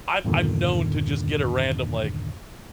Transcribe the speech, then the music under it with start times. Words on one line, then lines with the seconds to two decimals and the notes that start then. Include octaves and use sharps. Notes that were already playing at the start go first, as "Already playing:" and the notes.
I'm I'm known to just get a random like,
0.25 E2 G2 A#2 D3 D#3